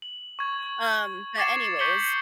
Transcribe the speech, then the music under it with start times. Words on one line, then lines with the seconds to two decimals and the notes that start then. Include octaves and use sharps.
um, but, anyways
0.02 F#7
0.39 C#6 G#6
1.38 D6 G#6 A6 C7 C#7 E7
1.79 C#6 G6 B6 C#7 F#7 G7